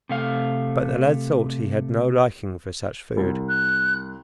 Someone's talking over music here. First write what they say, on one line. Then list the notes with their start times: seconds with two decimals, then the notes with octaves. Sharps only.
But the lad thought he had no liking for such food.
0.09 C3 A3 F5
3.17 C2
3.49 F#6